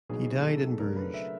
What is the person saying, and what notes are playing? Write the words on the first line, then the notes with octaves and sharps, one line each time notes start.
He died in Bruges.
B2 F#3 A#3 D#4 G#4
A4
C#3 F#3 A3 D4 A#4
B4
E5